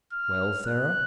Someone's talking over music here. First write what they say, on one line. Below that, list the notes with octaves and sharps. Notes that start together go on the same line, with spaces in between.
"Well, Sarah!"
F6
F#6